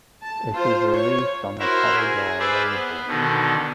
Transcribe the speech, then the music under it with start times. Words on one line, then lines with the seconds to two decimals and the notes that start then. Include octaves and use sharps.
It was released on the Polydor label.
0.22 A5
0.54 F4 C5
0.93 C#5
1.59 E4 F#4 A#4 C5 E5 F5
1.96 G#4
2.39 G#4 B4 C5 D5 E5 F5
2.71 B3
3.08 B2 D3 D#3